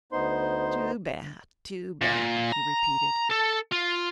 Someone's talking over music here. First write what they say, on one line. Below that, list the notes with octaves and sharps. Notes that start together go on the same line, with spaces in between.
"Too bad, too bad," he repeated.
D2 B3 D#4 C5 C6
A#2
A#5
A4
F4